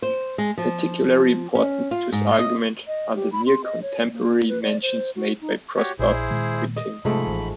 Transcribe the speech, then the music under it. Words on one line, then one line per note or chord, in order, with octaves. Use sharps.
Particularly important to his argument are the near-contemporary mentions made by Prosper of Aquitaine.
C5
G#3
F3
C#4
F4
G#2
D#5
D#5
G4
B5
C6
D#5
C#5
A#3
B4
D5
C5
F#4
D#4
F#4 G4 C#5
A#1 E4 G#4 C5
A#2 D#3 G#3
D#5
G#2 C3 F3 G#3 A3 B5
A1 E3